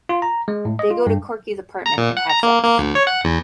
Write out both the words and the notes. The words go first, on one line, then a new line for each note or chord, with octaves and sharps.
They go to Corky's apartment and have sex.
F4
A#5
G#3
A2
D#5
F4
G2
A#5
A#2
F#5
A#5
A#3
A#3
D2
C#5
F#5
E2